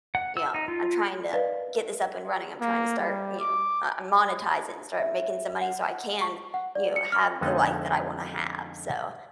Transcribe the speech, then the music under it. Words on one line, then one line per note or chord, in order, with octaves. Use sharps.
you know? I'm trying to get this up and running. I'm trying to start, you know, uh, monetize it and start making some money so I can, you know, have the life that I wanna have. So,
F#5
E6
D#4
F4
A#4 B4 D5 D#5 F5
A#3
G3
D6
E5
F#5
C#6
F#5
D5
C#7
F6
F2 D3 G#3 B3 D#4